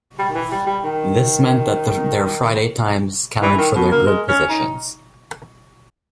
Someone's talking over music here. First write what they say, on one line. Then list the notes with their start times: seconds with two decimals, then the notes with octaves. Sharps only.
This meant that their Friday times counted for their grid positions.
0.19 G3
0.30 D#3
0.35 E3
0.52 G3
0.67 G3
0.84 D#3
3.42 E3
3.58 D#3
3.75 B2
3.91 A#3
4.07 G#3
4.28 C#4
4.50 D#4